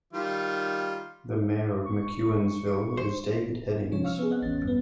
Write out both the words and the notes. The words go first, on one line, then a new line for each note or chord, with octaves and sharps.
The mayor of McEwensville is David Heddings.
D#3 G3 F4
C#6
C5
C3 F3 C#4 C#5
F5 C#6 E6 F6
B3 G#4
B3 C4 D#5 F#5 F#6
A1 E2 C#4 A6
G2 B3